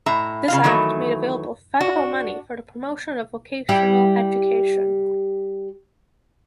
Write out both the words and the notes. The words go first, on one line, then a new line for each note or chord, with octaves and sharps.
This act made available federal money for the promotion of vocational education.
A2 E5 A#5
C#3 F4 F5
D#3 E3 F#3 A3
D4 F#4
G3 E4 G4